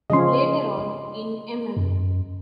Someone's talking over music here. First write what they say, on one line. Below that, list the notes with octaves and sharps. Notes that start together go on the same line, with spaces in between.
Later on, in mm.
C#3 F3 C#4 D#5 C6
F#2